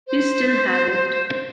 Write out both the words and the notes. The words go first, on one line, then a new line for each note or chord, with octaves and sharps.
We still have it.
C5